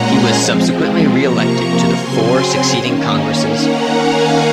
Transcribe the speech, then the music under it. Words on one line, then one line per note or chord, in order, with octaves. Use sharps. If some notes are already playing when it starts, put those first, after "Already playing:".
He was subsequently reelected to the four succeeding Congresses.
Already playing: A#2 G#3 C#4 F#5 G#5 A#5 C6
F3 G#3 C4
C3 F3 A#3 A#5 C#6
C#3 F#3 C4 G#5 C6
D#3 A#3 C#4
D#3 A#3 C#4 F#5 A#5
F5 G#5